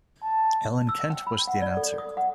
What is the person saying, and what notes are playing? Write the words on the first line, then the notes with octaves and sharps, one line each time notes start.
Alan Kent was the announcer.
A5
E6
G5
B5
F#5
D5
A4
D#6
F#5